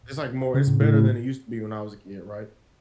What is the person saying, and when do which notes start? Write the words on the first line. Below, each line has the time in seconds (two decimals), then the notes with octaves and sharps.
it's, like, more it's better than it used to be when I was a kid, right,
0.54 C#3
0.67 A2
0.81 A2
0.94 A2